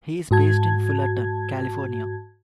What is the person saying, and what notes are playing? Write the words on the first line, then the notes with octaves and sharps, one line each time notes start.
He is based in Fullerton, California.
G#2 F#4 A5 G#6